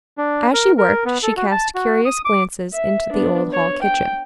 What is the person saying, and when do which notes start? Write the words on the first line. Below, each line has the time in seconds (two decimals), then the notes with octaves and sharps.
As she worked, she cast curious glances into the old hall-kitchen.
0.18 D4
0.53 A#4
0.78 A#4
1.05 B3
1.23 A4
1.37 F#4
1.51 A5
1.75 F#4
2.05 D#6
2.25 D6
2.73 E5
3.12 B3 D4
3.53 C#5
3.82 G5